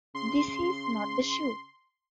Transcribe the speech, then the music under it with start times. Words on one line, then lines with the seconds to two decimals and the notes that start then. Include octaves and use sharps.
This is not the shoe.
0.15 C#3 C6